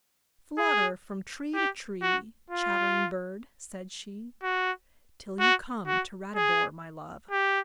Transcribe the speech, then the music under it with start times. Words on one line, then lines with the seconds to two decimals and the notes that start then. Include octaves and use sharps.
'Flutter from tree to tree, chattering bird,' said she, 'till you come to Ratibor, my love.
0.57 G#4
1.54 G4
2.02 F#4
2.50 F4
4.43 F#4
5.40 F#4
5.87 F#4
6.35 G#4
7.31 G4